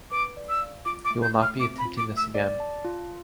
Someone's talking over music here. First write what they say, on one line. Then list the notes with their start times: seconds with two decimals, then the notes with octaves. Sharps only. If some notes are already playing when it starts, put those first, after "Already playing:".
He will not be attempting this again.
0.11 B4 D6
0.37 D5
0.49 E6
0.61 F5
0.85 F4 D6
1.05 D6
1.10 A3
1.23 G6
1.35 A3
1.42 F6
1.60 C4 D6
1.78 B5
1.85 F4
1.98 D6
2.10 A3
2.17 E6
2.35 D5
2.60 A5
2.85 F4